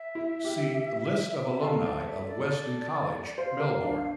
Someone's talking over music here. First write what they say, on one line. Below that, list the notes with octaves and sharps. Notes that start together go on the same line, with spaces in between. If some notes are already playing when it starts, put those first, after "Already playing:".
See "List of alumni of Wesley College, Melbourne".
Already playing: E5
E4
G4
G4
E5
A4 F5
D5
E5
D5
C5 F5
A#4
D4